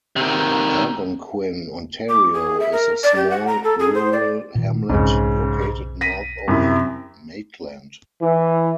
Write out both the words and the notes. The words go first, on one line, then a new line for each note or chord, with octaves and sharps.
Algonquin, Ontario, is a small rural hamlet located north of Maitland.
C3 D#3
D6
G#4
E5
A#4
D5
G4
F#5
A#5
A4
G#4
C5
D5
A#2 D#3
B1 F2 G#2 C#3
A#6 B6 D#7
F#2 C3 E4
E3